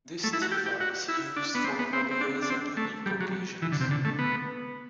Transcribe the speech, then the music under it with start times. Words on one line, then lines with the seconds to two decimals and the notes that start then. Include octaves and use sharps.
This tevah was used for holidays and unique occasions.
0.23 A3
0.33 E4
0.42 F#4
0.52 G4
0.66 G4
0.81 F#4
1.08 E4
1.37 D4
1.55 B3
1.65 C4
1.79 B3
1.93 C4
2.11 C4
2.21 D4
2.42 D4
2.50 C4
2.77 A3
3.06 G3
3.21 F#3
3.62 E3
3.72 D3
3.81 C3
3.91 D3
4.05 A3
4.19 B3